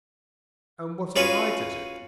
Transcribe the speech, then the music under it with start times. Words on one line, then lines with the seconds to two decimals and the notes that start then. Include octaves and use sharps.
'And what am I to do?'
1.16 C#4 F4 F#4 G#4 B4 C#5